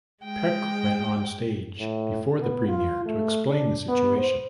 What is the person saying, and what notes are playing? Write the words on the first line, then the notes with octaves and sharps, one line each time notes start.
Peck went on stage before the premiere to explain the situation.
G#3 G5
A2
B3
F4
A3
D4
B3
C5